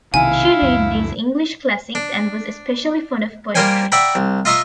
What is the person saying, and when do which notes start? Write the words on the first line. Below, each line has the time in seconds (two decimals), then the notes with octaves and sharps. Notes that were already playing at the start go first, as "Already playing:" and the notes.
She read these English classics, and was especially fond of poetry.
0.14 B1 C3 D#3 E4 F5 G#5
0.62 C#2 F#2
1.95 D4
3.55 G3 A#3 A#4 C5 G5 G#5
3.92 D5 E5 F#5 G5 A#5 B5
4.15 C2
4.45 F4 D#5 E5 A#5 C6 C#6